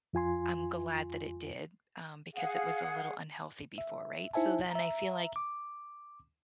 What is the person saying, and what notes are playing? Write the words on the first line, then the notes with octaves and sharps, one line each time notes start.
I'm glad that it did, um, because it was a little unhealthy before, right? So then I feel like
F2 F4 G#5 C6
G#4 F5 F#5
E5
D#4 E4 C5 E5 G#5 A5
E5 A#5
D6